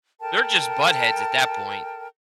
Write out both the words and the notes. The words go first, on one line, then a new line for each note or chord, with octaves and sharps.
they're just buttheads at that point.
A4 A#4 G5 A5